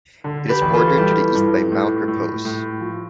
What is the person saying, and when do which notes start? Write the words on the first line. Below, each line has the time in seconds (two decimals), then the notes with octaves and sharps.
It is bordered to the east by Mount Repose.
0.24 D3
0.49 G4 B4
0.62 A1
0.74 F4 A4
0.98 G3 E4 G4
1.35 G2
1.72 A2
2.08 A2
2.45 A2
2.81 F3